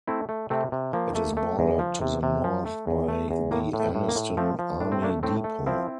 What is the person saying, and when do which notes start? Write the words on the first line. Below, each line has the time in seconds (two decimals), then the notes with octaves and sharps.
It is bordered to the north by the Anniston Army Depot.
0.08 A3 C4 E4
0.29 A3
0.50 C3 A3 C4
0.72 C3
0.93 F3 A#3
1.15 A3
1.37 A3
1.59 E2
1.79 F3
2.02 C3
2.23 C3
2.44 F3
2.66 A3
2.87 E2
3.08 A3
3.31 E2
3.51 A2 A#3
3.73 A2
3.80 A3
3.95 A2
4.08 A#3
4.15 A2
4.37 F3 A3 C4
4.59 F3
4.80 A2 D4
4.92 C4
5.02 A3 A#3 D4
5.23 A2 A3 C4
5.44 A3
5.66 F3 C4 E4